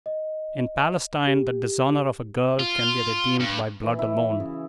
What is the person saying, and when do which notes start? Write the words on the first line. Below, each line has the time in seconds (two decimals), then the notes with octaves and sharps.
In Palestine, the dishonor of a girl can be redeemed by blood alone.
0.06 D#5
1.27 G4
2.59 F4
3.40 G2
3.83 E3
3.99 E4
4.40 C#3